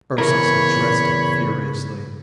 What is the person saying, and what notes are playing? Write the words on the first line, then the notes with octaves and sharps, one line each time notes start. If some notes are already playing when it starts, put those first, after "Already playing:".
Ursus addressed him furiously.
E2 C#3 E4 A#4 C#5 B5